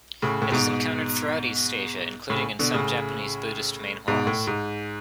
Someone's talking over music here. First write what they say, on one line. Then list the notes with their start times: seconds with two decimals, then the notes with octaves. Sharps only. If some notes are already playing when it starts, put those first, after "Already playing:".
It is encountered throughout East Asia, including in some Japanese Buddhist Main Halls.
0.22 A2 C#3
0.42 A2
0.52 G#2 B2
2.30 A2 C#3
2.59 B2 D3
2.74 A2 C#3
4.08 G#2 B2
4.27 A2
4.47 G#2